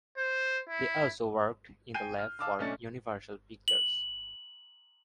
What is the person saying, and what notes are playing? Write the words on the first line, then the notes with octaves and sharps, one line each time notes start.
He also worked in the lab for Universal Pictures.
C5
E4
G5 G#5 G6 C7 D#7
F6
F5 A5 D6 E6 F6
B1 A3 C#4 D4 A6 C#7
F#7